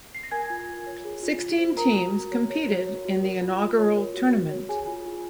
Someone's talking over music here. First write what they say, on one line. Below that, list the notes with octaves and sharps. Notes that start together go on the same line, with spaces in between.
Sixteen teams competed in the inaugural tournament.
C7
A#6
A#4 G#5 G#6
F4
F4
C#5
G#4
F4
F4
C5
A#4 A#5
F#4
F#4
C#5
C#5
F#4
C#5
F#4
A#4
F4
F4
C#5
A#4
F#4
F#4
C#5
G#4 G#5
F4
F4